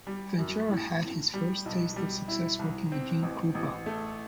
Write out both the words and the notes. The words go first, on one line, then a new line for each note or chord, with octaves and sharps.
Ventura had his first taste of success working with Gene Krupa.
G3
F#2
A2
A2
G3
B1
G3
E4
C2
C4
A1
A1
A3